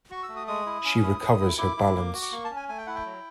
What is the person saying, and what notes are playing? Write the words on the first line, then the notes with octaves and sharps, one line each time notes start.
She recovers her balance.
F#4 C#6
E6
A3
D#6
G#3 D#6
E4
C#4
E4
E4
E4
E4 D6
E4
A#3
F#4
D6
A#3 C#6
A5
C#4
G#5
A3 G#5
G5
E4 F#5
G5
F#3